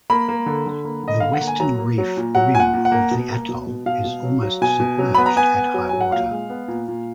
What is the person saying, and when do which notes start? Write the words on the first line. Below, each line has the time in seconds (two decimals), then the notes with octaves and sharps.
The western reef rim of the atoll is almost submerged at high water.
0.10 A#3 B5
0.28 A#3
0.46 D3
0.66 D3
0.85 A#3
1.03 D3 D#5
1.20 D3 F5
1.33 F#5
1.41 A#3
1.47 G#5
1.60 F#3 A#5
1.79 A#3
1.98 F#3
2.17 A#2
2.35 F#3 F#5
2.54 A#2 G#5
2.60 F#5
2.74 A#2
2.85 F#5
2.92 A#3
3.11 B2
3.30 A#3
3.49 B2
3.67 B2
3.86 B2 F5
4.04 B2
4.23 F#3
4.43 F#3
4.61 B2 G#5
4.80 B2
4.99 F#3
5.15 B3 B5
5.26 A#5
5.36 B3 G#5
5.55 B3
5.74 F#3
5.89 F#3 G#5
6.01 F#5
6.12 A#2 F5
6.31 G#3
6.50 B3
6.68 A#2
6.88 A#2